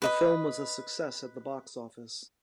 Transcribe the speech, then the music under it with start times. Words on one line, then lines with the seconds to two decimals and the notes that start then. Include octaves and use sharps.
The film was a success at the box office.
0.02 B4 D#5 B5